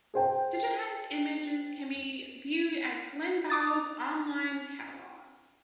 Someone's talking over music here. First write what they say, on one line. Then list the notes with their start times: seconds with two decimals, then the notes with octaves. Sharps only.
Digitised images can be viewed at Glenbow's online catalogue.
0.14 G#4 C5 G5 A5
3.50 D6 D#6 A6